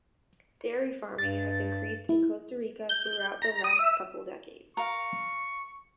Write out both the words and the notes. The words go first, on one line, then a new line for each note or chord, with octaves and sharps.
Dairy farming has increased in Costa Rica throughout the last couple decades.
G2 A6
E4
G6
A#5
D#6
E5
A#4 F5 C#6